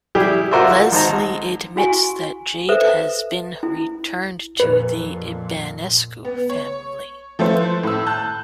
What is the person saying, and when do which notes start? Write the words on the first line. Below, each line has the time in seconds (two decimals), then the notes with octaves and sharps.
Leslie admits that Jade has been returned to the Ibanescu family.
0.15 G3 E4 G4 G#4
0.51 F4 F#4 A#4 C5 D5 E5
0.92 G#1 C5 A#5
1.76 E4 F#4 G#5 C#6
2.69 A4 B4 C5 E5
3.63 E4
4.60 F2 A#2 B4
6.25 B3
6.49 C#5
7.39 F3 A3 E4 A4 B4 C5
7.83 A2 E6
8.07 A5 F#6 G6